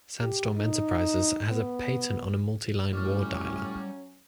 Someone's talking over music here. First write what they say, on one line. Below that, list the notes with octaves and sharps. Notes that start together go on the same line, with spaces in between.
Sandstorm Enterprises has a patent on a multi-line war dialer.
G4
D#4
B3
A2 F#3 G3 C#4 C#6 D6 F6